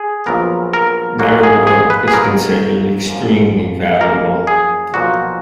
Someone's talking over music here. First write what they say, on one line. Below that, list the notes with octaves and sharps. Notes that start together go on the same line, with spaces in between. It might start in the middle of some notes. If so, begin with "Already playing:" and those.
Their wood is considered extremely valuable.
Already playing: G#4
A#1 A#2 F#3 B3 A#4
A#4
G#2 F#3 A#3 F#4
G#4
G#4
B4
G#4
G#2 F#3 A#3 A#4
F#2 F3 A#3
F#2 F3 A#3 A#4
G#4
B1 A#2 F3 F#4